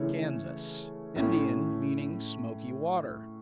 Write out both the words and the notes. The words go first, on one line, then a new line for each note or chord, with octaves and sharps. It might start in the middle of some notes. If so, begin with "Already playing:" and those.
Kansas--Indian; meaning "smoky water."
Already playing: C#3 E3 A3 E4 C#5
A2 A3 C#4